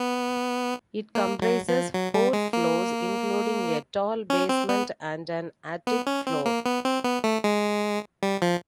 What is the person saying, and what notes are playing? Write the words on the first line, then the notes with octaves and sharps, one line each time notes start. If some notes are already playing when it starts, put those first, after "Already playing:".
It comprises four floors, including a tall basement and an attic floor.
Already playing: B3
A#3
F#3
F3
F#3
G3
G#3
A#3
C#4
C4
B3
B3
C#4
C4
A#3
B3
C4
B3
A3
G#3
G3
F3